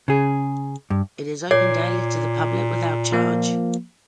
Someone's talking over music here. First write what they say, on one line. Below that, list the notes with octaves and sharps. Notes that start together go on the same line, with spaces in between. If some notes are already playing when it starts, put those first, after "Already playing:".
It is open daily to the public without charge.
C#3 G#4
G2
A#2 C#5 D6 G#6 C7
F3 A#3